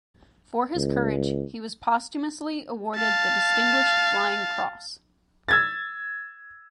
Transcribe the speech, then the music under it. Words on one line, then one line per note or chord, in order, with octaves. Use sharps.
For his courage, he was posthumously awarded the Distinguished Flying Cross.
C#2
F5 A5
E6 G#6 A6